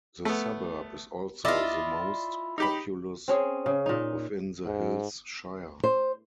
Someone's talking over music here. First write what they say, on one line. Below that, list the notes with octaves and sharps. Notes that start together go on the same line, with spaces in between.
The suburb is also the most populous within the Hills Shire.
A3 B3
E4 F4 D5 D#5
D#4 G4 B5
C4 C#4 G#4
C#3
A#2 D#4
G#2
C5